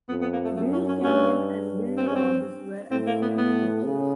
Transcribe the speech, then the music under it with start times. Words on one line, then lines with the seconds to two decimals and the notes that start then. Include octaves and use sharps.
Bill Kenyon and Bill Dobbs were assistant coaches.
0.09 F2 B3
0.22 B3
0.33 A#3
0.45 A3
0.56 F#2 A3
0.73 C#4
0.88 C#4
1.04 G2 C#4
1.97 C4
2.07 C#4
2.16 C4
2.91 A2 C4
3.07 A#3
3.22 B3
3.38 B3
3.85 C#3